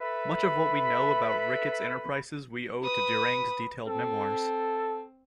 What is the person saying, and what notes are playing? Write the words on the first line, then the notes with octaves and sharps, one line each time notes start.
Much of what we know about Ricketts's enterprises we owe to Durang's detailed memoirs.
A4 B4 E5 B5
B4 B5 D#6
C4 A4